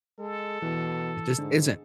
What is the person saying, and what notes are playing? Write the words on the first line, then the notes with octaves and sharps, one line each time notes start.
It just isn't.
G#3 A4
B2 E3
G#2 D3